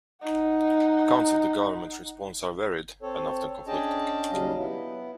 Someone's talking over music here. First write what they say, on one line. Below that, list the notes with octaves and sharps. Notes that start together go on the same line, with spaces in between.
Accounts of the government response are varied and often conflicting.
D#4 F#5
C4 A4 C#5
C#4 D4 G#4 D#5 G5 A5
D#2 C#3 F#3 G3 D#5 F5
B3 E4